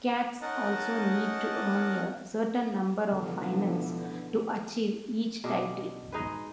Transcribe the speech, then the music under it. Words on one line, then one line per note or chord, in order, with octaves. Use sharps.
Cats also need to earn a certain number of finals to achieve each title.
C#4 D#4 A#4 D#5 F#5 A5
C#2 B2 D3 E3 F3 B3
B2 D4 G#4
G#3 D#4 G#4 B4